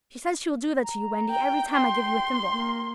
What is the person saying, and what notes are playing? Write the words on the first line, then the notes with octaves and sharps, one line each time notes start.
"She says she will do that to you, Wendy, every time I give you a thimble."
A#5
G5
G5 C6
A#3